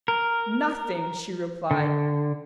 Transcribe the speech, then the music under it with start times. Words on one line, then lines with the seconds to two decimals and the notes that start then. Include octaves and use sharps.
"Nothing!" she replied.
0.08 A#4
1.71 D3